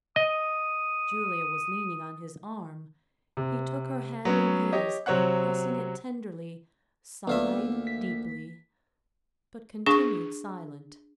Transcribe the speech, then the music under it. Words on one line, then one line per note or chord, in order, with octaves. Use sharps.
Julia was leaning on his arm: he took her hand in his, and pressing it tenderly, sighed deeply, but continued silent.
D#5 D#6
C3
F#3 B3 C#4
G4 C#5 D#5
C3 F#3 C4 C#5 F#5 F#6
D2 A#3 B3 F4 D5 E5
B6
D4 G#4 C#6